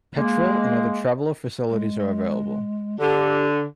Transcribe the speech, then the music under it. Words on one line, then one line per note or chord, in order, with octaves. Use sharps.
Petrol and other traveller facilities are available.
G#3 A#3
G#3
D3 G4